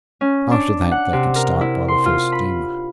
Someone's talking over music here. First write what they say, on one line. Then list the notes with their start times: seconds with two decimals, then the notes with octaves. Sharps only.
After that they could start by the first steamer.
0.21 C#4
0.51 D4
0.92 F#5
1.13 C3
1.36 A#4
1.61 E4
1.88 C6
2.06 F4
2.32 B5